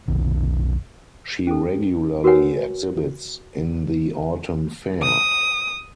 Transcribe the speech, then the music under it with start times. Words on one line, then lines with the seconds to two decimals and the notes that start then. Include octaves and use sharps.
She regularly exhibits in the Autumn Fair.
0.08 F1 B1 D#3
1.47 C#4 A4
2.24 F#4 A#4 B4 C#5 F#5 G#5
5.03 D#6